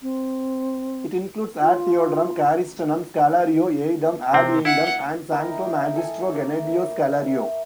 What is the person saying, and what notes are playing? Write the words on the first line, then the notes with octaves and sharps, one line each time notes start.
It includes "Ad Theodorum Carystenum", "Scholario," "Eidem", "Ad eundem" and "Sancto magistro Gennadio Scholario".
C4
F4
C3 C4
E4 F#5
E4 A#4 D#5 G5
A#5
A4 G#5
A3 A#3 A#4
E5